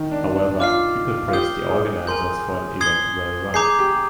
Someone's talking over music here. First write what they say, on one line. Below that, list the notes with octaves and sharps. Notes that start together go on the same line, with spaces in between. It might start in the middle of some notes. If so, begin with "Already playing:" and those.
However, people praised the organisers for an event well run.
Already playing: D#3
D4
D4
F4 D6 F6 C7
F4
G4 D#6 G6 C7 G7
G#4
A#4 G#5 C6 G6
D#6 G#6 C7 G7
G#4 A#5 D6 G6 C7
G4